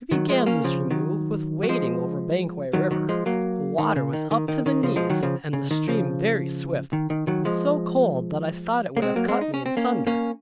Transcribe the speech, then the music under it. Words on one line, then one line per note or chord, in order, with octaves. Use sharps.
We began this remove with wading over Banquang river: the water was up to the knees, and the stream very swift, and so cold that I thought it would have cut me in sunder.
D#3 F#3
F3 G#3
A#3 C#4
C#3 F3
D#3 F#3
F#3
F3 G#3
D#3 F#3
D#3 F#3
F3 G#3
F#3 A#3
D#3
C#3
D#3
D#3
D#3
D#3
C#3 F3
F3 G#3
D#3 F#3
C#3 F3
C#3
D#3
C#3 F3
D#3
D#3
D#3 F#3
F3 G#3
A#3
G#3 C4
F#3 A#3
G#3 C4
D#4
C#4
C4
A#3 C#4
A#3 C#4